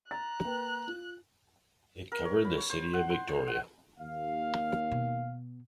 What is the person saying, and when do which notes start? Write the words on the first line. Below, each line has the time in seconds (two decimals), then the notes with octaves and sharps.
It covered the City of Victoria.
0.11 A#5 F#6 A6
0.44 A#3 B4 G5
0.87 F4
2.12 A#4
2.25 C#5
2.44 B5
2.58 C#5
2.70 C5
2.94 F#5
3.10 C6
3.29 C5
3.48 F#5
3.99 D#2 F5
4.92 B2